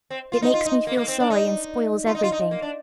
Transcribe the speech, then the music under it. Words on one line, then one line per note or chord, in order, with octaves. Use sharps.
It makes me feel sorry and spoils everything.
C4
F4
D#4
F4
D#4
A#3
A#3
C4
D4
D#4
F4
D#4
F4
D#4
A#3
D4